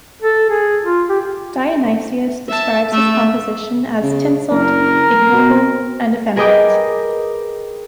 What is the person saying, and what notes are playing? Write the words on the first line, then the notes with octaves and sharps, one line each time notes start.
Dionysius describes his composition as tinselled, ignoble and effeminate.
A4
G#4
F4
G4
E5 A5
A3 E5
C#3
F#1 A#4
B2
G#4 A#4 B4 D#5 G5 D6